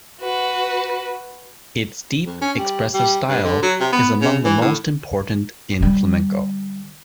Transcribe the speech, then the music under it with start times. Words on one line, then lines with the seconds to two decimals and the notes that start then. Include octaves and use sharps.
Its deep, expressive style is among the most important in flamenco.
0.21 F#4 B4
2.25 F2
2.41 C#4
2.58 G3
2.94 G3
3.29 G2
3.43 D3
3.62 F#3
3.80 C3
3.92 B3
4.21 C#3
4.45 E3
4.61 A2
5.80 D3 G3